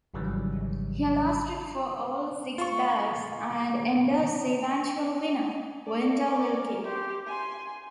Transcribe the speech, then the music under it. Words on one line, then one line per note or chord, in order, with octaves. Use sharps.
He lasted for all six ballots, and endorsed the eventual winner, Wendell Willkie.
G#1 G#2 C#3 E3 F#3 G3
F4 C6 C#6
D5
A#4 D5
G4 C6
G#5 C6